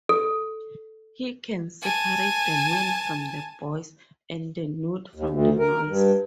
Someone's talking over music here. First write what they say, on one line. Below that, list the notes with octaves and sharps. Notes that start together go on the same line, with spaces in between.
He can separate the men from the boys and the note from the noise.
A4
G#5 A5
D#2
D2
A#4
G2